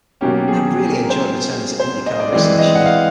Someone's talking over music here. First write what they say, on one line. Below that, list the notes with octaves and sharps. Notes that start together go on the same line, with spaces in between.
I have really enjoyed returning to IndyCar racing this year.
B2 F#3 A#3 C#4 G4
G#4
A#4
C5
C5
D#5
D5
E3 G#3 C4 D5
D#5
F#5
F5